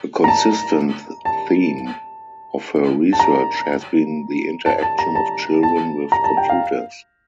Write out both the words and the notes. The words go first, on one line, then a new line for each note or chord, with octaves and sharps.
A consistent theme of her research has been the interaction of children with computers.
A#5
A5
A5
A5
A#5
A5
A5
A#5
A5
A5
A#5
A5
G5
F5